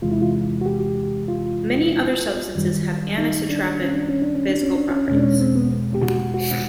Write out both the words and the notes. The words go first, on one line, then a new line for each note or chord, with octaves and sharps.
Many other substances have anisotropic physical properties.
E2 C3 E3 G#3 F4
E4
F4
F#4
G4
F4
F#2 D#3 G3
D#4
D4
C#4
D4
C#4
D4
C#4
D4
C#4
D4
C#4
E2 B2 G#3 C#4
D4
C#4
C4
B3
G4
F#4
F#4